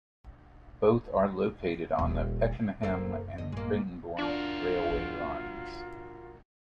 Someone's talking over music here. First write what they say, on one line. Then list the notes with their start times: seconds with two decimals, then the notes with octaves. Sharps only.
Both are located on the Pakenham and Cranbourne railway lines.
1.99 D#1
2.83 F#1 A#3 C4 A4
3.38 F#1 D3 D#5
3.52 A#1 G2 G#3 A#3
4.19 D4 F4 F#4 A#4